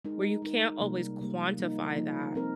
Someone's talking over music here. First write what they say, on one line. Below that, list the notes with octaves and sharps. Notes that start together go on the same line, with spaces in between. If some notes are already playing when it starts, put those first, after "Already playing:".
where you can't always quantify that
G#3 D#4 A#4
G#3 D#4 A#4
C3 G3 A#3
C3 G3 A#3
F3 A#3 D#4
F3 A#3 D#4
F3 C4 D#4 A#4